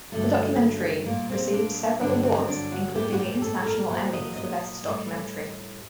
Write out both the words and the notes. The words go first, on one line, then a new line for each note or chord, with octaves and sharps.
The documentary received several awards, including the International Emmy for Best Documentary.
G2 D3 F#3 A3
A#2 G3 A#3
C4
D4
G2 D3 F#3 D4
C4
C4
D4
F#4
A2 G3 G4
F#4
G4
A4
A#4
A#2 F#3 C5
D#5
D#5
A2 G3